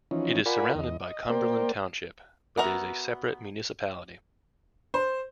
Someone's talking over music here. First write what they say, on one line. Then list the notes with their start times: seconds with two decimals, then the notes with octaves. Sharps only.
It is surrounded by Cumberland Township but is a separate municipality.
0.11 E3 F3 C#4 D#4
0.46 F4 A#4 D5 F#5 G#5 B5
0.75 E2 D#5
1.08 D#5
1.30 A#3 A#4 C5 D5 G5
2.57 B3 F#4 A#4 E5
4.94 C5